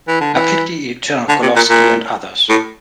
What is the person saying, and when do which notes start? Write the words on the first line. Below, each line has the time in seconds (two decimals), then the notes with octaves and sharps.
"Napitki iz Chernogolovki", and others.
0.08 E3
0.21 D3
0.34 E3
1.29 D3
1.42 C3
1.56 A#2
1.70 A#2
2.50 A2